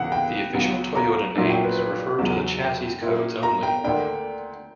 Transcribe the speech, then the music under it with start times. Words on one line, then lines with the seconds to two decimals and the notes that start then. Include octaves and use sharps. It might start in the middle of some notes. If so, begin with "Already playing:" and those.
The official Toyota names refer to the chassis codes only.
Already playing: C#2 C#3 E3 F#5
0.12 G5
0.54 C#2 C#3 F#3 B3
0.95 A#5
1.36 A#1 A#2 F#3 C#4 E4
1.50 G5
1.64 B4
1.78 B4
2.19 E2 C#3 F#3
2.60 G5
3.01 A#2 A#3 E4
3.43 A#5
3.63 G5
3.84 D2 D3 A#3 D4 G5